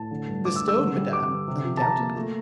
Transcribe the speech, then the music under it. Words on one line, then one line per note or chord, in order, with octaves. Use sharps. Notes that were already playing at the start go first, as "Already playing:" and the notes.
"The stone, madam, undoubtedly."
Already playing: A2 A5
D3
G2
G2 D6
E6
G2
E6
D3
G3
G2 D6
D3
C3
F3
A5
C3 A#5
A#3
A3